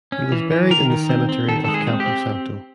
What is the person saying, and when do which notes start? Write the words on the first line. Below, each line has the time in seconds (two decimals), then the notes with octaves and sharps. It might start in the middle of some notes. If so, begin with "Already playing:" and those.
He was buried in the Cemetery of Campo Santo.
0.12 C#4
0.32 E3
0.51 E3
0.70 D#3 A#4
0.90 D#3
1.09 C4
1.29 C4
1.48 D#3 A4
1.64 G#3 A4
1.74 G#4
1.87 C4
2.00 G4
2.06 C4